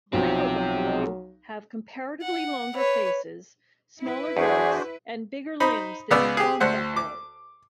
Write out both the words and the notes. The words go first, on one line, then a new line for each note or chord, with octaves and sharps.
River buffalo have comparatively longer faces, smaller girths, and bigger limbs than swamp buffalo.
B1 F3 F#3 C4 F#4 G4
F#5
B4 C#5
E4 B4
E2 D4 F#4 G#4 C5
D#4 C5 B5
C#2 C#3 B3 D5 E6
G4 G#4
D2 C5 F#5
D6